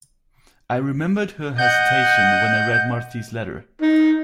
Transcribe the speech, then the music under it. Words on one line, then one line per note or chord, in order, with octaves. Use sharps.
I remembered her hesitation when I read Marthe's letter.
D#5 F#5 G6
D#4